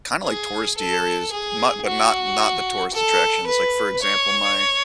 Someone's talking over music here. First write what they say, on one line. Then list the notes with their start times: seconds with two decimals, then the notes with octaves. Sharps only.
kinda like touristy areas, not but not not the tourist attractions. Like, for example, my
0.24 G#4
0.77 A4
1.31 G#4
1.86 F#4
2.93 A4
3.47 B4
4.01 C#5